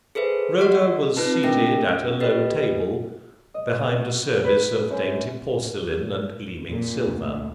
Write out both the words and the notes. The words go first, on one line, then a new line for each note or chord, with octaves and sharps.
Rhoda was seated at a low table, behind a service of dainty porcelain and gleaming silver.
G#4 A4 B4 C5 E5
F#4 D5 D#5 F#5 C#6
C4 D#4 F4 B4 A5
A3 D4 A#4 E5 G5 A#6
C#4
G4 A4 B4 D#5
D#5
F#4
B4
F#2
A#2
D2